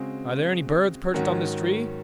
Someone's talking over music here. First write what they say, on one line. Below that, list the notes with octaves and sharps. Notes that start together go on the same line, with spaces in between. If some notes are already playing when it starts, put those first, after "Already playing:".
Are there any birds perched on this tree?
Already playing: C#3 G#3 C4 F#4
G#2 D#3 F#3 C#4 F#4